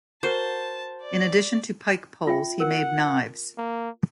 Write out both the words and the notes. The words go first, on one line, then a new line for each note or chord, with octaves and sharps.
In addition to pike poles he made knives.
F#4 A#4 C5 A5
D5
F4 E5 G5
A#4 F#5
A#3